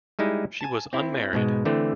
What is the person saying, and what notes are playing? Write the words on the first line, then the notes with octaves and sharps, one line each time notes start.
She was unmarried.
G3 G#3 D#4 E4
G#5 A5
C4 E4
G#2 B2 G#3
D3 E3 A3 C4